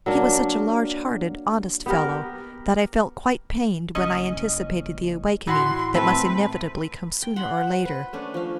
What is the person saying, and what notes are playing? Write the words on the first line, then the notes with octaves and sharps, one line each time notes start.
He was such a large-hearted, honest fellow, that I felt quite pained when I anticipated the awakening that must inevitably come sooner or later.
F#3 A#3 D4
B3 G4 A#4
F#1 C#4 D#5
A2 E3 F#4 C6
A3 C4 A4 B4
G5
F#5 B5 C6
C5
B4
A3 C#4 D4
F3 F5